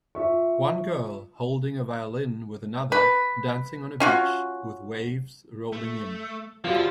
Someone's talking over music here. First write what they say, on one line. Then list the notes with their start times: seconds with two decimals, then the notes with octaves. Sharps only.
One girl holding a violin with another dancing on a beach with waves rolling in.
0.15 F4 E5 C#6
2.92 B4
4.00 C#4 F4 F#4
5.73 A3
6.64 F#2 F3 G3 F4 A5